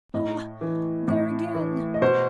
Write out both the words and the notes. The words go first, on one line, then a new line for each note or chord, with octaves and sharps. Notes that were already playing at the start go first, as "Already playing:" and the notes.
Hah! there again!
A2 D#5
E3
A2
E3
D#5
B2 C5